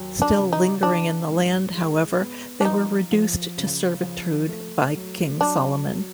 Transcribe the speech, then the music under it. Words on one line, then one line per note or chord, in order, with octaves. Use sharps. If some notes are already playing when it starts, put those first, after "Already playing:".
Still lingering in the land, however, they were reduced to servitude by King Solomon.
Already playing: D#2 F#3
D4
C#3
D#4
E3 D4
G#2
G#3
B3
D4
F3 D#4
F3
C#3
F3
A3
F#3
F#3 D4
F#3